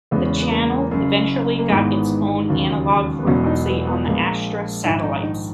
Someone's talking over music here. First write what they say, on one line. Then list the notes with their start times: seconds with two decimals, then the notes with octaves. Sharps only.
The channel eventually got its own analogue frequency on the Astra satellites.
0.11 E2 C#3 G#3 B3
0.24 C#4
0.39 B3
0.51 A#3
0.91 F#1 F#2 C#3
1.59 A#3
1.69 G#1 G#2 E3 G#3 B3
2.48 E1 D#2 C#3 F#3
3.19 B3
3.27 E1 E2 B2 F#3 C#4
3.46 D#4
3.66 B3
3.85 B3
4.05 A#1 A#2 G#3
4.84 A#1 G#2 D#3 E4
5.04 D#4
5.23 D#4